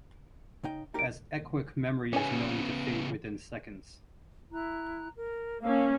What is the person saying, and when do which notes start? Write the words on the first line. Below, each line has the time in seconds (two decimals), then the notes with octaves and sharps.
As echoic memory is known to fade within seconds.
0.64 C#3 D#4 G5
0.94 D#4 G4 A#4 A#5 D7
2.13 C#3 B3 C#4 G#5
4.52 E4 A#5 F#6
5.18 A#4
5.63 A#3 C#4 F5 A5 E6